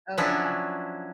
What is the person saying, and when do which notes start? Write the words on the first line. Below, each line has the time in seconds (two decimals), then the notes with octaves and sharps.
Oh, yeah.
0.18 F3 F#3 C#4 D4 E4